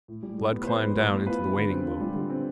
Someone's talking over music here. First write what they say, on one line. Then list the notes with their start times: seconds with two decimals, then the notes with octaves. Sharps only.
Blood climbed down into the waiting boat.
0.08 A2
0.23 G3
0.38 A2
0.52 B3
0.64 B4
0.67 A2 C5
0.83 G3
0.97 A2
1.12 B3
1.27 F4 B4
1.41 G3
1.56 D3
1.71 C4
1.86 F4
2.01 G3
2.15 D3
2.30 C4